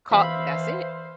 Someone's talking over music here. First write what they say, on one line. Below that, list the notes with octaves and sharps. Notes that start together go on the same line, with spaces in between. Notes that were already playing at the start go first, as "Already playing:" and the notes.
Call That's it.
E3 C5 E5 F5 B5